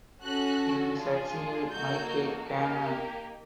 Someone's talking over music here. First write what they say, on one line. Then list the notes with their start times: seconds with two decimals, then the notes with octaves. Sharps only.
He succeeded Michael Gannon.
0.23 C#4 F#4 A4 F#6
0.98 D4 F4 G#4
1.73 A#3 D#4 F#4 A4 G6
2.48 A#3 D#4 G4